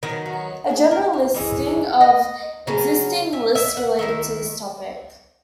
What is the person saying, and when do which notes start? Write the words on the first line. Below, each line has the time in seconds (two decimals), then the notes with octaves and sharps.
A general listing of existing lists related to this topic.
0.03 D#3 F#3 B3 F#4
0.26 F#4
0.69 G#4
0.91 A#4
1.13 C#5
1.34 E3 G#3 C#4 E4 D#5
2.01 D#5
2.67 C#3 F#3 C#4
3.33 E5
3.55 E5
3.68 E5
3.77 F#5
3.99 D#3 A#3 E4 E5